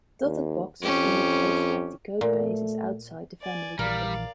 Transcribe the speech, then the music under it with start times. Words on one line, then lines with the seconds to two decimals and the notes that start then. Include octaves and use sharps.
Dotted boxes indicate that the codebase is outside the family depicted.
0.24 D#2
0.82 F2 C#4 G4
2.21 A#2 A3
3.41 D5 G#5
3.79 A#1 E3 G3 A#4 D5 F5